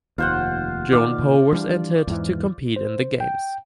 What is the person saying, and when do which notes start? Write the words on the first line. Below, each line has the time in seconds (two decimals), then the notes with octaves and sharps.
Joan Poh was entered to compete in the Games.
0.18 F1 D#2 F4 C5 F#5
0.92 A#2 D#3 D5 F5
1.53 E3 G3 D4
2.07 E2 G#2 E3
2.76 C5
3.20 G5